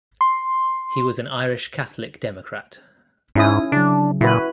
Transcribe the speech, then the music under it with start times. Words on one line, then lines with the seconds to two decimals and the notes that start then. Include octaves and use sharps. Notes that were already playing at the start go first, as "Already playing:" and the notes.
He was an Irish Catholic Democrat.
0.21 C6
3.35 G#2 C#4 D#4 E4 D#6
3.72 C#3 F#3 D4
4.21 A#2 E4 F#4 B4